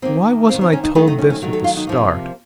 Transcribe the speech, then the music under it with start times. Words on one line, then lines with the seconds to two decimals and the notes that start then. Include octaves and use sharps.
"Why wasn't I told this at the start?"
0.02 D#3 A#3 C4
0.49 A#3 C4
0.54 D#3
0.61 C4
0.73 C#4
0.84 D#4
0.95 D#3 F#3 A3 D#4
1.07 D#4
1.18 C#4
1.30 C#4
1.42 D#3 F#3 A3
1.53 A4
1.64 F4
1.77 D#4
1.87 C3 F3 A#3